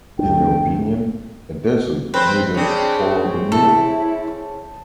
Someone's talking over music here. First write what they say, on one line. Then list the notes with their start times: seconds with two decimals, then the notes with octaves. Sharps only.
In your opinion, a dessert needed to follow the meal?
0.19 D2 A3 D4 G5
2.14 C4 B4 C5
2.54 C#3 C4 D4
3.52 E4 A4 A5